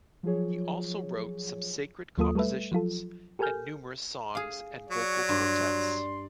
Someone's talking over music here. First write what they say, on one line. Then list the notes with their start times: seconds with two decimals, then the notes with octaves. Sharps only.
He also wrote some sacred compositions, and numerous songs and vocal quartets.
0.23 F3 F#3 F4 G#4 C#5
2.18 D#2 F#3 A#3 F4 A4 D#6
2.35 G3 A3 A4 B4 E5
2.72 F3 F#3 F4 A4
3.39 G4 A4 A#4 G#5 F6 G6
4.35 G#4 F5
4.91 F#3 D5 C#6
5.29 G2 C6